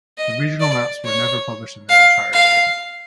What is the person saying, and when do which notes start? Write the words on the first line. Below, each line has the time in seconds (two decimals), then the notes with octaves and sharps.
The regional maps were never published in their entirety.
0.18 D#5
0.60 D5
1.04 C#5
1.89 F5
2.33 F5